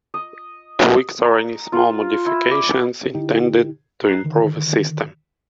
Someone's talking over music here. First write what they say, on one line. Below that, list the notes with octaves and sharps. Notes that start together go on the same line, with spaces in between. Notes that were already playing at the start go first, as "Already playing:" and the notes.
Tweaks are any small modifications intended to improve a system.
D#5
A#5
F4
E4
D5
D3 D#4 E4 G4
A#5 F#6 C7
D3 D#3